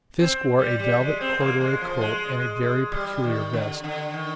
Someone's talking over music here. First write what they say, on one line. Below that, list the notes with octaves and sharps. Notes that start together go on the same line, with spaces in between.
Fisk wore a velvet corduroy coat and a very peculiar vest.
C4
G3
G3
G#3
C4
A#3
G#3
F3
G#3
G#3
G3
D#3
D3
D3
D#3